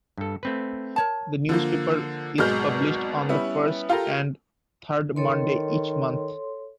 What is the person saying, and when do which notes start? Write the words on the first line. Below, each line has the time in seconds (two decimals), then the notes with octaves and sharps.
The newspaper is published on the first and third Monday each month.
0.18 G2 A4
0.43 A3 C4 B4
0.96 A#4 C#5 A5
1.49 D3 F3 A#3
2.38 G#1 B2 F#3 G#3 F6 G6
3.29 G3 B3 C#4 E4
3.89 F4 G4 A4 A#4
5.16 D#3 A4 C#5 C6